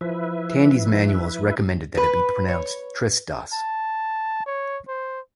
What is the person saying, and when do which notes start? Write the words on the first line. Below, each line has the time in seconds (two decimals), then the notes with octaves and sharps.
Tandy's manuals recommended that it be pronounced "triss-doss".
0.01 F3 E4 B4 E5
1.97 B4
2.48 C#5
3.53 A5
4.46 C#5
4.88 C5